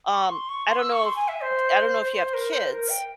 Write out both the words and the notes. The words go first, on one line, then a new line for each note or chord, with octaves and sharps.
um, I don't know if d I don't know if you have kids
C#6
C6
C#6
C6
E6
C#6
C6
G#5
E5
C5
C5
A#4
C5
A#4
G5